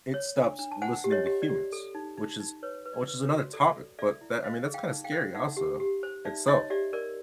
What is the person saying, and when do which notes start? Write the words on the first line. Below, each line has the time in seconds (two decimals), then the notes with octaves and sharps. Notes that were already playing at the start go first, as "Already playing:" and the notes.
it stops listening to humans, which is which is another topic, but that I mean, that's kinda scary also itself.
0.14 C#5
0.37 D4
0.59 D4
0.71 A5
0.82 C5 F#5 G#5
1.04 G4
1.11 C#5 D#5
1.26 G4
1.42 D5
1.50 G4
1.72 A4
1.95 D#4
2.18 D#4
2.40 D#4
2.63 B4 C#5
2.86 B4
2.93 D5
3.08 B4
3.23 C#5
3.30 F#4
3.53 A4 D5
3.76 A4
3.99 A4 D5 E5
4.21 E4
4.44 C5 D#5 F5
4.67 G#4
4.74 F5 G5
4.90 D#4
5.04 F5 G5
5.12 C5
5.34 D#4 E5 F#5
5.57 G4
5.80 G4
6.03 C5
6.25 D#4 D5 E5
6.47 D#4 C#5 D#5
6.70 G4 D5 E5
6.93 A#4 D5